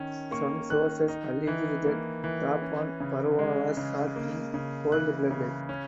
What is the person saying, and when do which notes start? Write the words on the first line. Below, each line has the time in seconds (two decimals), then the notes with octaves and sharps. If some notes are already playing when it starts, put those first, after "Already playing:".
Some sources alleged that Tapan Baruah was shot in cold blood.
Already playing: D#3 C#4
0.31 A#3 C#6
0.70 D#3 F#6
1.08 D#4
1.47 E3
1.86 A#3
2.24 E3
2.62 C#4
3.00 C#3
3.39 G#3
3.77 C#3
4.16 A#3
4.54 C#3
4.92 E3 F#6
5.31 C#3
5.69 C#4